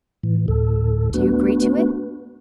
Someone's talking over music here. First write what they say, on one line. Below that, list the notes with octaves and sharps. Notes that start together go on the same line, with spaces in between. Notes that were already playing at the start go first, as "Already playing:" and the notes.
"Do you agree to it?"
A2 E3
D2 A2 A4
A3 B3 D4 F#4 B4